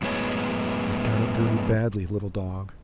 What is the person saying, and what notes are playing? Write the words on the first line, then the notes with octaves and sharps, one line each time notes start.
'We've got it very badly, little dog!
F#2 A2 G#3 B3 C#5